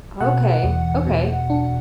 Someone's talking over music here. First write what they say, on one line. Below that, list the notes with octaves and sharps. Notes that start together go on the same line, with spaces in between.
Okay, okay.
B2 F#5
E2
B2
D4